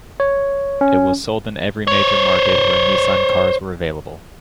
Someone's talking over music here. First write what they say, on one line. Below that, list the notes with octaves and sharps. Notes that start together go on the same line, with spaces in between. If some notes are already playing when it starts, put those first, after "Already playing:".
It was sold in every major market where Nissan cars were available.
C#5
C#4
C5 C#5